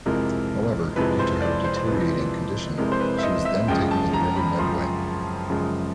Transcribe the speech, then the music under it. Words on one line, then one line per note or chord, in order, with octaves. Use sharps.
However, due to her deteriorating condition, she was then taken to the River Medway.
F2 C3 E3 G#3 A#4
F2 C3 E3 G#3 B4
C5
D5
C5
C5
F2 C3 E3 G#3 B4
F2 C3 E3 G#3 A#4
C5
B4
E5
D#5
E5
F#2 C#3 F3 G#3 G5
A5
A#5
B5
F#2 C#3 F3 G#3 C6
F#2 C#3 F3 G#3